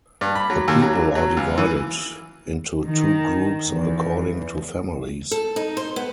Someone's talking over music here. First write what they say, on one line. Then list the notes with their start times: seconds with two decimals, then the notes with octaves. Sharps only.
The people are divided into two groups according to families.
0.21 G2
0.35 B5
0.50 F#3
0.68 D#2
0.83 F#3
1.15 F#3
1.37 C#2
1.58 E3
2.87 D#3
3.68 E2
5.31 A4
5.56 D#4
5.77 C5
5.96 B3